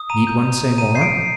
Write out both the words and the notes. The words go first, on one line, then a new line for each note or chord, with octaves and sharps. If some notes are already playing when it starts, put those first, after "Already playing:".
Need one say more?
Already playing: D#6
A#5 D#7
G6
A#5
D#6
A#5 D#7
G6 C7
D7
A#5